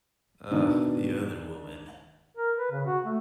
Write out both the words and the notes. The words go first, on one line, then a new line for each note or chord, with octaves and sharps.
Ah, the other woman!
B2 D#3 D4
A#4
B4
C#3
F#4
A3